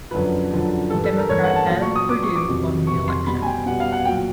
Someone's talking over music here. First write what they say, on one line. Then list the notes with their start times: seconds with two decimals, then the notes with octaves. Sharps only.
Democrat Bev Perdue won the election.
0.11 F#2 D3 F3 B4
0.51 F#2 D3 F3
0.90 G2 E3 G3 A4
1.04 A4
1.17 A#4
1.29 G2 E3 G3 C#5
1.44 F#5
1.56 A5
1.69 A#2 F#3 A5
1.82 C#6
1.95 D#6
2.09 A#2 F#3 D6
2.22 C#6
2.36 D6
2.48 F2 C3 D#3 F#3
2.87 F2 C3 D#3 F#3 C#6
3.08 C6
3.26 B2 G3 B5
3.42 G#5
3.46 G5
3.66 B2 F#5
3.70 G3
3.80 F5
3.92 F#5
4.05 A#2 F#3 G5